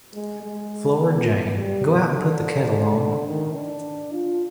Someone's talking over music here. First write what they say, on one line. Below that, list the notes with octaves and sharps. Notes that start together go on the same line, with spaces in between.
Flora Jane, go out and put the kettle on.
G#3
G#3
B3
B3
G3
B2
D3
D#3
D4
F4